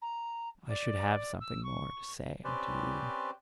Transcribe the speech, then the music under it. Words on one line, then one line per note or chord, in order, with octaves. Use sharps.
I should have something more to say unto you!
A#5
D5
E6
C#6
C4 C#4 G4 B4 C5 D5